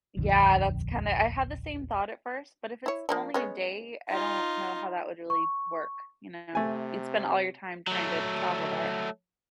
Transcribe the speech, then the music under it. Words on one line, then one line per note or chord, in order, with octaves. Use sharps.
Yeah, that's kinda I had the same thought at first, but if it's only a day, I don't know how that would really work, you know? You'd spend all your time trying to travel there.
D#1 A#1 F2 D3
E4 C#5
F3 A#3 D4
G#3 B3 C#4
D#4 F4
C#6
C3 A3 G#5
F#3 A3